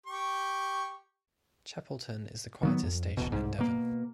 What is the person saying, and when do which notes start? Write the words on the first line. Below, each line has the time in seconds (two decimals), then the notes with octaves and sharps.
Chapelton is the quietest station in Devon.
0.06 G4 C#6
2.63 D#3 F#3 B3
2.83 F2
3.17 D1 A1 B2
3.32 C2 G#2
3.58 B2 A#3